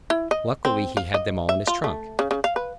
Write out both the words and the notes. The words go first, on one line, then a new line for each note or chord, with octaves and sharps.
Luckily he had them all in his trunk.
E4
D#5
C4
F5
D#5
E5
F4
A3
C#3
C#3
F5
B4